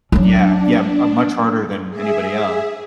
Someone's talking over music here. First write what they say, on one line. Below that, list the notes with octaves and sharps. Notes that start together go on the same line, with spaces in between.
Yeah. Yeah, uh, much harder than anybody else.
F#3 C#4 D4
G#4 E5